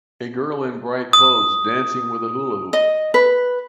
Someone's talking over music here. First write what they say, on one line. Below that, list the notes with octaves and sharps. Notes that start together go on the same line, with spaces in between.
A girl in bright clothes dancing with a hula hoop.
D#6
D#5
B4